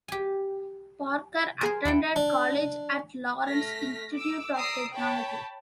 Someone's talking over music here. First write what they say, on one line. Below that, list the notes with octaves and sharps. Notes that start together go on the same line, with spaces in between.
Parker attended college at Lawrence Institute of Technology.
G4 G#5
G#4 A#4 C5 G#5
D#2 E4 F#5 G5
D4
A3 F6 A#6 B6
D6 E6
D5 A#5 D#6 E6 C7 D7
C#5 G5 A5 B5